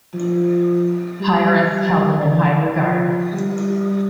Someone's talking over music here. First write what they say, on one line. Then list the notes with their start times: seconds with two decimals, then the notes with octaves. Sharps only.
Pyrrhus held him in high regard.
0.14 F3
1.21 G3
1.74 G3
2.81 F3
3.34 G3